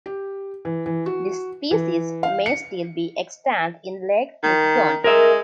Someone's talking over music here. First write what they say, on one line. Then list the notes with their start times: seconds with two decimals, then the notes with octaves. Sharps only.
This species may still be extant in Lake Nipigon.
0.06 G4
0.65 E3
0.86 E3
1.06 F#4
1.71 E3
2.23 F5
2.46 C#7
4.43 D#3
5.04 G#3 A#4 E5